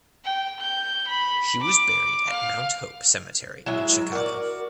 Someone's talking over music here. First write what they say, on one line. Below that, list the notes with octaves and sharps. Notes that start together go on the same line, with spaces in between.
She was buried at Mount Hope Cemetery in Chicago.
G5
G6
B5
D6
F5
F#3 G#3 E4 E5
F#4 A#4 D5